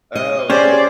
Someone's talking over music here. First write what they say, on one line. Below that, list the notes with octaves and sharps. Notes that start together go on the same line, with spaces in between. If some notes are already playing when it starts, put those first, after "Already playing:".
Oh, so
D#5
C#4 G4 G#4 C5 D5